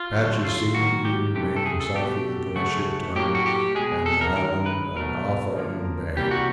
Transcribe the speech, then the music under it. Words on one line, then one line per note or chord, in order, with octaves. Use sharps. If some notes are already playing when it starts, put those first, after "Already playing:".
Patches seem to be remaining south of the Glacier Tongue and the Island and off our own bay.
Already playing: F4
D3 F#3 A3
F4
D#3 F#3 A#3 F#4
G4
C3 E3 A3 G4
A4
G#4
A4
B2 F#3 A3 G4
C#3 F#3 A3 F#4
A2 F#3 A#3 G4
F#4
G4
B2 G#3 G#4
A4
A#4
D#3 G#3 A#4
B4
B2 F#3 A3 A#4
D3 F3 A#3
C3 E3 G3 A#3 G4
F#4